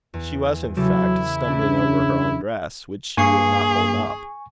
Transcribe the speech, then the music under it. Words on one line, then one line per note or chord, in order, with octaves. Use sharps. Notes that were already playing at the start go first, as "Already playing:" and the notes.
She was, in fact, stumbling over her own dress, which she would not hold up.
E2
C#3 F#3 E4 G4 A4
C#3 D4
G2 A#3 G#4 G#5 C#6 C7